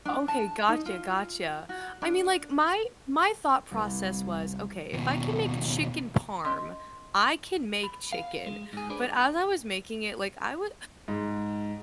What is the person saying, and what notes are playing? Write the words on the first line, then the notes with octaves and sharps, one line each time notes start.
Okay, gotcha, gotcha. I mean, like, my my thought process was, okay, if I can make chicken parm, I can make chicken, but as I was making it, like, I would
D4
A5
D#4
F4
F#4
D4
C2
D#2 B2
C#4 D#5 C6
B5
F5
G#3
G#2 G#4
D4 G#4 B4 C5 D5
G#2